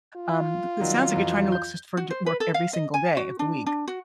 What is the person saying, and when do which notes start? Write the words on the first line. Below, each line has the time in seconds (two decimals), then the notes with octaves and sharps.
Um, it sounds like you're trying to look y for ju work every single day of the week.
0.16 F4
0.80 D#3 F#3 G3
1.12 F2 E3 F#3
1.52 G6
1.97 F#4
2.10 C5
2.26 B4
2.40 A4
2.54 F5
2.73 D#5
2.94 G#5
3.17 F#4
3.39 D4
3.66 D4
3.88 F#4